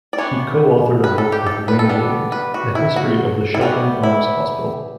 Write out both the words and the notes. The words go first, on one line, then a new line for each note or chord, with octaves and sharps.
He coauthored a book with Wayne Williams, "A History of the Sheltering Arms Hospital".
D5
E3 B3 D4 C#5
B4
A4
G4
A4
B4
A4
G3 B3 D4
B4
F#4
E4
F#4
E4
E3 G3 B3 F#4
E4